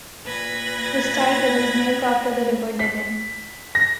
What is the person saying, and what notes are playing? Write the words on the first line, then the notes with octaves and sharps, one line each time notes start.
His title is named after the River Deben.
A#2 B4 B5 G#6 A#6
B6
A#6